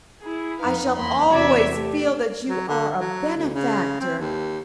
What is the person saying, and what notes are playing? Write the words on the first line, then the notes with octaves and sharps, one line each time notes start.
I shall always feel that you are a benefactor.
E4 G#4
F2 D#4 B4 F5
E2 A#3 B5 C6
E2 C3 F#4 D5 E5 G#6
A3 G4
F#3
D3
F#3
D2
C#3
C4
D#2